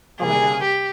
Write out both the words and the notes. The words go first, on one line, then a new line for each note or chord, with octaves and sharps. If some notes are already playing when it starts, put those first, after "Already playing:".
Oh my gosh.
C3 G3 A#3 G#4
G4